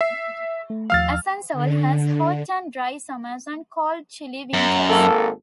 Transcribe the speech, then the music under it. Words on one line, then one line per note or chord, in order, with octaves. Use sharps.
Asansol has hot and dry summers and cold chilly winters.
E5 C7
A3
D#2 F3 F5 E6 F6 A6
D3
F#2
G#1 A#3 A4